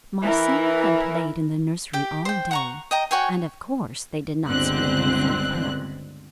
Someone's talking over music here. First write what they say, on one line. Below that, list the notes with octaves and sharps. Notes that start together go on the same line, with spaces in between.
Marcella had played in the nursery all day and of course they did not speak in front of her.
E3 E4 A#4
G4 G5
C5 G5
F#5 A#5 C#6
D#5 G5 A#5
F#4 C#5 G5 G#5
G1 C#2 D3 C4 F#6